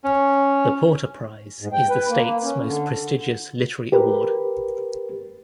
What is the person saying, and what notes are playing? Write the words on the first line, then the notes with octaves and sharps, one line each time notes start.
The Porter Prize is the state's most prestigious literary award.
C#4
G#2
G5
B4
A#3
A#3
C#4
D3
G4 A#4 B4